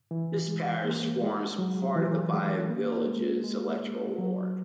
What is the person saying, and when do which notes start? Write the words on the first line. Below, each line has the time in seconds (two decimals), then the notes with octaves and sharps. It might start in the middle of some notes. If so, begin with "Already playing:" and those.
This parish forms part of the Five Villages electoral ward.
0.11 E3
0.48 G#3
0.84 A#3
1.22 G#3
1.58 F#3
1.96 E3
2.34 G#3
2.70 A#3
3.07 G#3
3.44 G#3
4.18 F#3